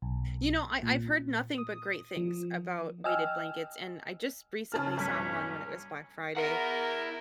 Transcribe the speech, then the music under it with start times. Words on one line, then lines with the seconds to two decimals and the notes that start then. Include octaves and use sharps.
You know, I I've heard nothing but great things about weighted blankets, and I just recently saw one when it was Black Friday,
0.02 B1
0.83 A#2
1.58 D#6
2.17 F3
3.04 D#5 G5 G#5 E6 F6
4.72 C#3 A5 F6
4.97 B1 G2 C#4 B6
6.37 E4 A#4 F#5